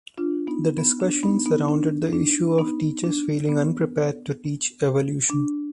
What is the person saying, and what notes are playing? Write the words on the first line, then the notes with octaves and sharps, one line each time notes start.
The discussion surrounded the issue of teachers feeling unprepared to teach evolution.
D4 F4
B3 D#4
B3
D4
B3 D#4
B3 D#4
D4
D#4
D4
B3 D#4
D4
B3
D4